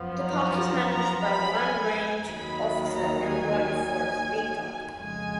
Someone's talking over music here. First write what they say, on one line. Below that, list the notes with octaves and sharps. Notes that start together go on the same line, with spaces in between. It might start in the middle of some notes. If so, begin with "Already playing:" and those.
The park is managed by one range officer and one forest beat guard.
Already playing: F#2 F3 B3
A#5
A#5
B5
G#5
D#2 D#3 F#3 B5
A#5
G#5
F2 C#3 G#3 G#5